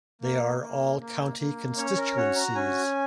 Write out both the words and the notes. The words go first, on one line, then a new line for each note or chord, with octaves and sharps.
They are all County constituencies.
A#3
A#3
A#3
A#3
C#4 C#5
A#4
F#4 C#5
A#5
C#4 G#5